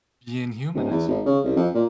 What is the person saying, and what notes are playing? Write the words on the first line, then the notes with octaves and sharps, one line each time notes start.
being human, I suppose.
D1
E2
G#1
C#3
C2
F2
A#2